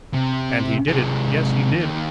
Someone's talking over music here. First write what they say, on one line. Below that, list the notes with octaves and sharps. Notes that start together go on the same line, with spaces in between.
And he did it; yes, he did!
C3
C3 G#3
D#2